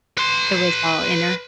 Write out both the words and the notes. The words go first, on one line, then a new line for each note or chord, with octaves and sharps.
It was all inner?
B4 C6